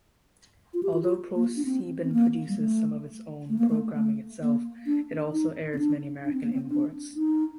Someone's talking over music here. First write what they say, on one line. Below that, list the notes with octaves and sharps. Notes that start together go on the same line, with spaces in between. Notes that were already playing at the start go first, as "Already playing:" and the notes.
Although ProSieben produces some of its programming itself, it also airs many American imports.
F4
G4
F4
F4
A#3
D4
C4
C4
A#3
G3
A3
A3
A#3
A3
A3
A#3
D4
D#4
C4
D4
D4
C4
A#3
C4
D4
D#4